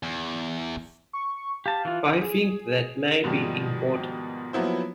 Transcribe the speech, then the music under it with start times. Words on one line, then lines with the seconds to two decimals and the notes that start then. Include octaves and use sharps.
I think that may be important.
0.03 E2
1.13 C#6
1.66 G4 F5 A5
1.85 E3 F4
2.21 G#4
3.24 G#2 B2 D#3 F3 G3
4.53 F3 F#3 A#3 B3 E4 C5